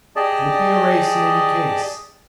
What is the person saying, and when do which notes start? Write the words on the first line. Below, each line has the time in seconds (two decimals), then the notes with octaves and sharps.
It would be a race, in any case.
0.16 G4 G#4 D5 D#5 A5